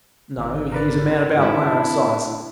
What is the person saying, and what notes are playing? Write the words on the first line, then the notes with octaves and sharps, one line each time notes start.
"No, he is a man about my own size."
G#1
A#4 B4 D5
G#1 C#4 E4
D4